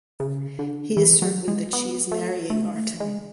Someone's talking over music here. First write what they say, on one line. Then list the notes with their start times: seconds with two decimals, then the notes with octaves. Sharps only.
He is certain that she is marrying Artem.
0.20 C#3
0.59 D3
0.97 E3
1.22 F#3
1.48 G#3
1.73 B3
2.11 A3
2.50 A3
2.65 G#3
2.75 A3
3.00 G#3